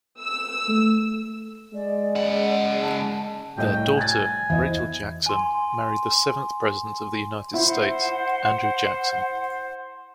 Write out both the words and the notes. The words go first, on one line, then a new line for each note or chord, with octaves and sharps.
Their daughter, Rachel Jackson, married the seventh President of the United States, Andrew Jackson.
E6
A3
G#3 D5
C#3 F#5
A5
C2 A2 D#5 G5
G#5 F#6 A6
E2 E3 E4 C5 D#5
G#5 C6
E4 C5 F#5